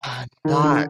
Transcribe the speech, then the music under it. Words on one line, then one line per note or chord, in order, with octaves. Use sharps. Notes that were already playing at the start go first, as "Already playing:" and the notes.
Uh, not,
D#3
D3